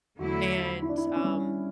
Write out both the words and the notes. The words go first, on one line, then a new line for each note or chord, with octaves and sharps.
And, um,
E2 D3 F#3 A3 E4 F#4
E4
D4
E4
D4
C#4
G3